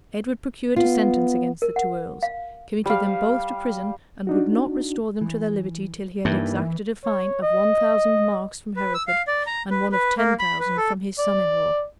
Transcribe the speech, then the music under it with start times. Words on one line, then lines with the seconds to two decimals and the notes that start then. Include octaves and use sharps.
Edward procured a sentence against the two earls, committed them both to prison, and would not restore them to their liberty, till he had exacted a fine of one thousand marks from Hereford, and one of ten thousand from his son-in-law.
0.76 B3 F4
1.62 A#4
1.76 F#5
2.23 F5
2.86 G3 F5
4.27 D4 D#4 F#4
5.21 E3
6.25 G2 E3 A#3 D#4 E4
7.04 C#5
7.42 D#5
8.76 B4
8.94 E6
9.07 F5
9.27 D5
9.47 A#5
9.70 B4
9.92 B4
10.17 A#3
10.39 B5
10.60 B4
10.77 A4
11.19 D5